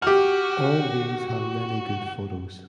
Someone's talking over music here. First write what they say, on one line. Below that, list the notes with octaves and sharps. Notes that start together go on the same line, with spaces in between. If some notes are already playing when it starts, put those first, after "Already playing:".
All these have many good photos.
F#4 G4 F6